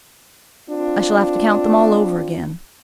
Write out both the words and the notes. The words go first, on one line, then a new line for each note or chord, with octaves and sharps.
I shall have to count them all over again.
C4 D4 F4